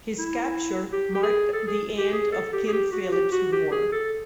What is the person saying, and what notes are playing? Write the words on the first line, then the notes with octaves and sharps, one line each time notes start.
His capture marked the end of King Philip's War.
E4
G4
G4
G#4
A4
G#4
G4
G#4
A4
G4
G#4
G4
F#4
G4
F#4
G4
G#4
A4